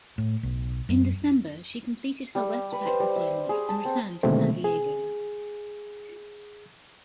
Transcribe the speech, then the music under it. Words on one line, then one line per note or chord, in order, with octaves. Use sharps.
In December, she completed her WestPac deployment and returned to San Diego.
A2
B1
F#2
G3
B4
C5
G3
E5
G#4
A5
C4
B2 D3 D#3 G#3 A3 C4
G#4